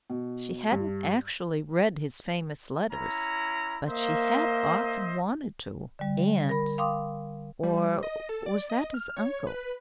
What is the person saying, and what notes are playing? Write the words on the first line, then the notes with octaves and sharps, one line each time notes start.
She hadn't actually read his famous Letters, but she had often wanted to, and--or was that his uncle?
B2
G2
C#4 E4 A#5
A#3 C5 D#5 E5
D3 G3
A#4 B5
F5 G5 C6 D6 D#6
G3
D#5
A4
D5
D#5
F6
C#5
B4